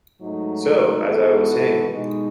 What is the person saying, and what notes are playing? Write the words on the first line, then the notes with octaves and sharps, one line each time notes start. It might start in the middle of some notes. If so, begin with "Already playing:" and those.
So, as I was saying.
G#2 F#3 A3 D#4
G#2 E3 B3 F#4 A4
B2 G#3 D#4